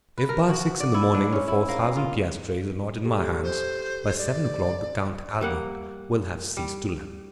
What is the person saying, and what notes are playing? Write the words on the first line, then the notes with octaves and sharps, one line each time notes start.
"If by six in the morning the four thousand piastres are not in my hands, by seven o'clock the Count Albert will have ceased to live."
B4
A#4
F#4
D5
E4
D4
C#4
E4
A#3
F4
G4 A4
C5
D5
G3 A#3 F#5
G3